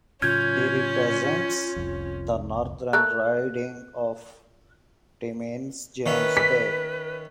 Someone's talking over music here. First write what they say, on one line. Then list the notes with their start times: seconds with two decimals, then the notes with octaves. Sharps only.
He represents the northern riding of Timmins-James Bay.
0.22 A2 C#3 F#3 C#4 F4 F6 G6 G#6
1.76 F1 C2 F2
2.93 A3 A4 A#4 F#6
6.06 D#3 C#4 B4 E5
6.37 B6